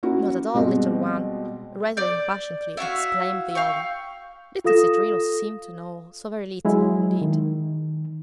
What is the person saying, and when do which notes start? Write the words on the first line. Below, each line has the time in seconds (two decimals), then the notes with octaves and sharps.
"Not at all, little one," rather impatiently exclaimed the other. Little Citrinus seemed to know so very little, indeed.
0.03 A#3 C#4 E4 F#4
0.54 B2 G3 G#3 C4
1.97 D5 G6
2.77 E4 F#4 E5 F5
3.55 F5 G5 C#6
4.64 F4 A4 F5 D#6 A#6 E7
6.65 F#3 G#3 E4
7.21 D#3